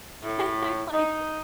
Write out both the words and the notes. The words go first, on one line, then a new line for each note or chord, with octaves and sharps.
and I'm like,
A2
D#4